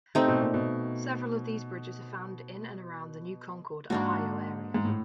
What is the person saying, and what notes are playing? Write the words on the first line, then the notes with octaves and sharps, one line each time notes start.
Several of these bridges are found in and around the New Concord, Ohio area.
C3 A3 C4 D#4
B2
A#2
B2
G#2 A#3 D4 F#4
G#2
A2